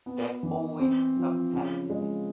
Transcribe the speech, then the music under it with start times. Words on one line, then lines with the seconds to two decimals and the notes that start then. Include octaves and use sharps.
There is always some talent in it.
0.06 B3
0.43 E3
0.79 C4
1.16 F3
1.53 C#3
1.90 G#3